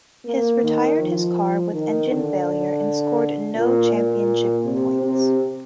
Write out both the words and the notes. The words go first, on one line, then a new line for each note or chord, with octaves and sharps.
His retired his car with engine failure and scored no championship points.
A#3
D#3
F3
D#3
D3
A#2
A#2
C3
C3